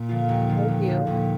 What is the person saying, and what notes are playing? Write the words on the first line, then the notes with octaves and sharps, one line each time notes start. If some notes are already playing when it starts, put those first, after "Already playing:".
I do.
Already playing: A#2
D3 F3 A#3 F4
D#2
D3 F3 A#3 F4
D#2
D3 F3 A#3 F4
D#2 A#2